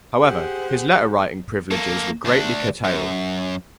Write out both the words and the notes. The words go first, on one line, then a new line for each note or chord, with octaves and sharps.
However, his letter-writing privileges were greatly curtailed.
G4 G#4 C5 F#5
A#3 A4
D2 D4
F#2